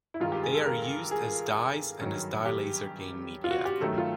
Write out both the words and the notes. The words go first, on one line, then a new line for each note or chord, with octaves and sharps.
They are used as dyes and as dye laser gain media.
E4
G2 D#3 G#3 F4
G4
G#4
A4
A#4
G#4
G2 D#3 F#3
G4
F4
F#4
G4
G2 D#3 F#3 A3 A4
F4